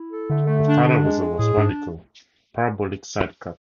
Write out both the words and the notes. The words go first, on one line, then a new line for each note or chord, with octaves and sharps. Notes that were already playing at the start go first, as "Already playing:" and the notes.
The final result was radical parabolic sidecut.
Already playing: E4
A4
D3 A3
A3
D4
D4
G#3
G#3
A2 G#4
G#2 D4